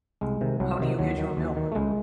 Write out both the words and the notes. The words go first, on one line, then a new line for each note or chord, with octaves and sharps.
How do you get your milk?
C2 G#3
C3 D#3
C2 F#3
C3 D#3
D#2 F#3
D#3
D#2
D#3
A3
C#2 G#3